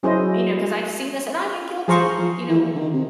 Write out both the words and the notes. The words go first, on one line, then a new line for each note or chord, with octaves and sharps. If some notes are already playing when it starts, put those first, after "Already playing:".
you know, 'cause I've seen this, and I've been guilty, you know,
F#3 C#4 E4 G#4 C5 D#5
F3 G#4 C5 F5 A#5 C#6
F3
E3
D3
D#3
C3